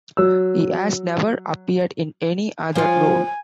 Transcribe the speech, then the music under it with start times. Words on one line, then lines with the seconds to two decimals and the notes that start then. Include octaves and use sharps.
He has never appeared in any other role.
0.17 F#3 E6
2.76 F3 F4 G#5